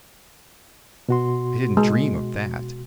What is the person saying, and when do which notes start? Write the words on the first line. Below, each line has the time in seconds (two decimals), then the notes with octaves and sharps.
I didn't dream of that.
1.09 B2 F#4 C6
1.77 G#3